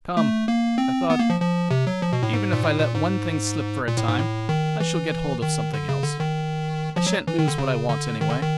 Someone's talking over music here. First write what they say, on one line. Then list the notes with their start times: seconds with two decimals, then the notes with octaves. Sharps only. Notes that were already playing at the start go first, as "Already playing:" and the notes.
Come, I thought--even if I let one thing slip for a time, I shall get hold of something else--I shan't lose what I want, anyway.
0.17 A3
0.48 A#3
0.78 C4
1.10 B3
1.19 A#3
1.30 F3
1.40 F3
1.71 C3
1.87 F#3
2.02 F3
2.12 B2
2.23 A2
2.33 G#2
2.53 A#2
2.63 A2
2.79 A#2
2.95 G#2
3.88 A#2
3.97 A2
4.08 G#2
4.19 A2
4.49 D#3
4.80 E3
5.42 D#3
5.74 D3
5.89 C#3
6.03 D3
6.20 D#3
6.96 F3
7.07 F#3
7.27 E3
7.39 D#3
7.48 D3
7.58 C#3
7.89 D3
8.21 D#3
8.30 D3
8.42 D#3